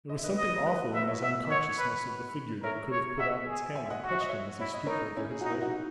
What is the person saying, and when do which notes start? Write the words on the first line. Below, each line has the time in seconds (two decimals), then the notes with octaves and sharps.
There was something awful in his unconsciousness of the figure that could have put out its hand and touched him as he stooped over his labour.
0.09 D#5
0.17 E5
0.24 B4 D#5
0.37 D#5
0.57 E5
0.66 B4 D#5
0.94 B4 D#5 E5
1.08 C#5 E5
1.22 D#5 E5 F#5
1.50 C#5 D#5 F#5
1.79 B4
2.06 B4
2.63 A#4 C#5 E5
2.91 C#5
3.19 D#5 E5 F#5
3.48 G#4
3.75 E5 G#5
3.86 E5
3.90 D#5 F#5
4.04 F#4 F#5
4.13 E5
4.20 D#5
4.29 C#5 E5
4.60 E4 C#5
4.74 D#5
4.86 D#4 A#4 C#5
5.17 C#4 E4
5.31 G#4
5.41 D#4 F#4
5.51 E4
5.61 D#4 F#4